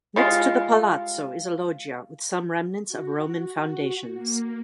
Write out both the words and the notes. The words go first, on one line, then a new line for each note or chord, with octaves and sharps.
Next to the Palazzo is a loggia with some remnants of Roman foundations.
G3 G#3 F4
F#4
A#3